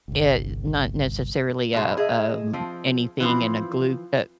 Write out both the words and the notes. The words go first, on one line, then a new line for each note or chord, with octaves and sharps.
eh, not necessarily, uh, um, anything in a glu a
G1 C2
B2 G#3
G#4 D#5 E5
F3 C4
E3 F3 C4